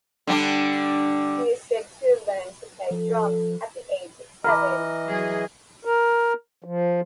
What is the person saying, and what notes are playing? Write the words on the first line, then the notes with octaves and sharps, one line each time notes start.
He is said to have learned to play drums at the age of seven.
D3 G3 D4
F3 A4
E3 D#5 A#5 B5 D6 F6
F#3 G#4
A#4
F3